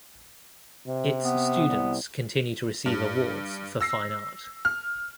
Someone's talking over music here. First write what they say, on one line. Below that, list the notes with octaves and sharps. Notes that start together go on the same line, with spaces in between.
Its students continue to receive awards for fine art.
C3
B3
C2
G2
E6 A#6 C7
F6